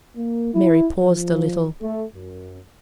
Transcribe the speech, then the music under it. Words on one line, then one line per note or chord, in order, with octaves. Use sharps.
Mary paused a little.
A#3
E4
F3
A3
F#2